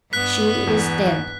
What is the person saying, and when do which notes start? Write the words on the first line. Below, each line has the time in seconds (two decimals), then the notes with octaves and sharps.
She is dead.
0.13 G2 B3 F#6 B6
0.67 E2